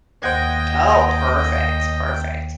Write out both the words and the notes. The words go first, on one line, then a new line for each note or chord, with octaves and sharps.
Oh, perfect, perfect.
D#2 C5 D#5 F#5 G5 G#6